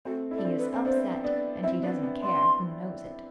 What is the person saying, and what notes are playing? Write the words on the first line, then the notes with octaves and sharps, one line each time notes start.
He is upset, and he doesn't care who knows it.
A3 C4 F#4
E4 A4
D4
A3 C4
B4
C4
B3 D4 C5
B3 D4 D5
C4 E4 E5
B3 D4 D5
B3 D4
B3 D4 C6